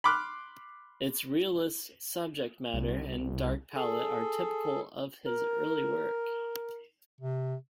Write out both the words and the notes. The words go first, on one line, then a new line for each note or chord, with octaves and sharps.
Its realist subject matter and dark palette are typical of his early work.
B5 C6 D6 F6 F#6
C2
G#4 A4
A#4
C3